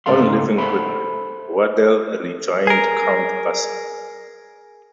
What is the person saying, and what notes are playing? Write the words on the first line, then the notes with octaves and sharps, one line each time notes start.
On leaving Goodman, Wardell rejoined Count Basie.
G#2 C#3 C#4 A4 F5 C6
A4 C5 E5 B5
G#4 A#4